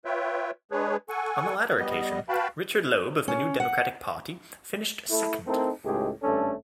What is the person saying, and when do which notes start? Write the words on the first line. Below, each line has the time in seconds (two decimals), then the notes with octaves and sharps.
On the latter occasion, Richard Loeb of the New Democratic Party finished second.
0.05 F4 B4 C#5 E5 G5
0.71 G#3 D4 G#4 B4 C#5
1.09 A4 F#5 G#5 C#6
1.77 G3 B3 D#5
2.29 F#4 B4 F5 G5 A5 B5
3.28 C#4
3.60 F#5
5.10 A3 E4
5.47 A3 C4 D#4 E4 A4 A#4
5.85 C#2 A2 G#3 D#4 G4 G#4
6.23 G#1 G2 A3 C#4 D4 A4